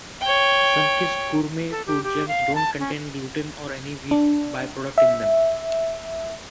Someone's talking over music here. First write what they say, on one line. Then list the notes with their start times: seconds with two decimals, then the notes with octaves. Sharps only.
Sunkist Gourmet Fruit Gems don't contain Gluten, or any wheat by-product in them.
0.22 C#5 G5
1.71 A4
1.87 G4
2.03 G4
2.28 F5
2.55 A5
2.79 C#4
4.11 D4
4.98 E5